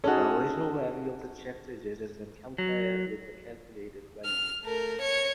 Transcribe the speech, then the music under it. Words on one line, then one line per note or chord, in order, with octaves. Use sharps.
The original value of the check digit is then compared with the calculated value.
C#4 D#4 F#4 G#4 A4
F#3
F6
A3 A#4
C#5 C#7